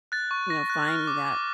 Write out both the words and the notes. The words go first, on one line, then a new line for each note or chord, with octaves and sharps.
you know, finding that
F#6 A6
C#6
C#6 A#6
F#6
F6
D6
D6